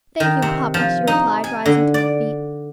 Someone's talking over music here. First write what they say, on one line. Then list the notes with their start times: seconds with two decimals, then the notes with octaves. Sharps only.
"Thank you, papa," she replied, rising to her feet.
0.20 D#3
0.42 C3
0.74 F3
1.07 D#4
1.44 G#5
1.66 D3
1.94 D5